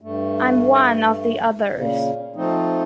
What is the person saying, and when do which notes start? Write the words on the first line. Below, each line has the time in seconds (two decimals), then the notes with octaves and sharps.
I’m one of the others.
0.02 G2 A3
1.73 A#2 C#3
2.36 F3 A3 C4 D#4